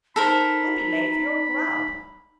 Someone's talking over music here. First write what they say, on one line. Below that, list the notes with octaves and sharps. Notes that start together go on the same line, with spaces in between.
You'll be late for your grub!'
D#4 A4 A#4 C5 B5